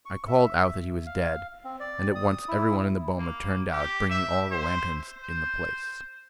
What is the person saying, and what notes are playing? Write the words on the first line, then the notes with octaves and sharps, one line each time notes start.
I called out that he was dead, and at once everyone in the boma turned out, bringing all the lanterns in the place.
C#6
E5
F5
C4
D5
D#6
E4
A#3
G4
E5
C5
C5